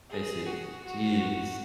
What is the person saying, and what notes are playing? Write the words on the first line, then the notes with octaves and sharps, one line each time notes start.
I see. Jeez.
G#4
F#4
F#4